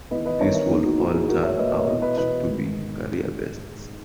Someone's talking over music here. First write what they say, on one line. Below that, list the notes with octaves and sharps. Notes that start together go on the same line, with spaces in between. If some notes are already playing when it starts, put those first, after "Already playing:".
These would all turn out to be career bests.
E2 D#3 B4 D#5
B4 D#5
E2 D#3 A#4 C#5
A#4 C#5
A#2 B3 D#4
D#4 F#4
A#2 D#4 F#4
E4 G#4
A#2 F#4 A#4
C#5 E5
A#2 B4 D#5
A#4 C#5
E2 B2 B4 D#5
B4 D#5
E2 B2 B4 D#5
G#2 D#3